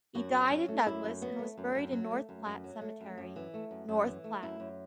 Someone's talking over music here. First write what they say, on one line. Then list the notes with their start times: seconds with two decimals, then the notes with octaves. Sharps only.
He died in Douglas, and was buried in North Platte Cemetery, North Platte.
0.15 F#2 F#4
0.32 F#2
0.50 F#3 C#4
0.68 A3
0.86 F#2 E4
1.04 F#2
1.21 F#3 B3
1.39 A3
1.57 F#2
1.75 F#2
1.92 F#3
2.11 A3
2.29 F#2
2.46 F#2
2.64 F#3
2.81 A3
3.00 F#2
3.18 F#2
3.36 E3
3.54 A3
3.71 F#2
3.89 F#2
4.06 E3
4.24 A3
4.43 F#2 E4
4.60 F#2